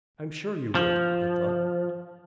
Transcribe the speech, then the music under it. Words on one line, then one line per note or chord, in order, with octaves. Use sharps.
"I'm sure you would," I thought.
F3